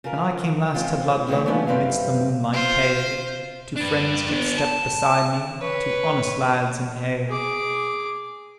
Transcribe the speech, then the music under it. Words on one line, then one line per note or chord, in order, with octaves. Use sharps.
When I came last to Ludlow Amidst the moonlight pale, Two friends kept step beside me, Two honest lads and hale.
C#3 F4 A#4
G#3 C4 C#4 F4
D#3 E3 G#3 A3 C4
F#3 A3 B3 C#4 D4 F4
F#2 G3 C4 B4 F5
F4 C5
D4 B4
B3 D4
A5
B4 C#5
G#4 D6